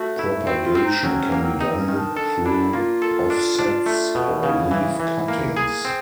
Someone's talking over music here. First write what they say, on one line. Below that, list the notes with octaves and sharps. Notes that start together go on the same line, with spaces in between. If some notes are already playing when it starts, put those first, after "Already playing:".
Propagation can be done through offsets or leaf cuttings.
Already playing: A3 F#4
E4
C4 F#4
F4
C4
D#4
F#3 C#4
C#4
A#3
C4
C4 D#4
C#4
D#3
D4
D4 A4
D4 E4
A#3 F4
A4
D4
D4
A3
B2
C#3 E4
E3
E3
A#3
G#4
C4